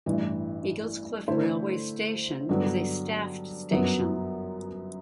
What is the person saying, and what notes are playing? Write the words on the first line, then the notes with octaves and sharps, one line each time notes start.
Eaglescliffe railway station is a staffed station.
A1 G2 E3
D3 A3 E4 A4 C5
G2 D3 F#3 B3 D4
G1 F#2 F#3 B3